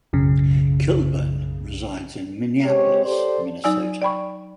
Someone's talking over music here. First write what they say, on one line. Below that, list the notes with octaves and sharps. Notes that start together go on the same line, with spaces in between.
Kilburn resides in Minneapolis, Minnesota.
B1 F#2 C#3
G#3 C4 G4 C#5
G4 A4 C5 D5
F#3 D#4 D5 G#5 E6
D5 G5 B5 C#6